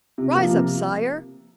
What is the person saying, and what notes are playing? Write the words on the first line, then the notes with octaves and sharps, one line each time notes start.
Rise up, sire!
C3
F3 A#3
C3